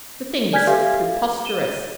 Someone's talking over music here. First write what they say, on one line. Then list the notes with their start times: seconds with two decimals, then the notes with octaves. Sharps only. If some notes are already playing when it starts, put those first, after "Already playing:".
The thing is preposterous!
0.53 D5 G#5 F6 G6 G#6 B6
0.67 G4 A4 B4 E5 F5
1.45 D#7 E7 G7